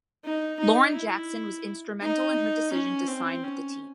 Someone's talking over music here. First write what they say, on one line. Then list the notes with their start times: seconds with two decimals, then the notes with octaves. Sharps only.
Lauren Jackson was instrumental in her decision to sign with the team.
0.24 D#4
0.60 D#4
0.94 E4
2.01 D#4
2.73 C#4
3.08 C4
3.43 C#4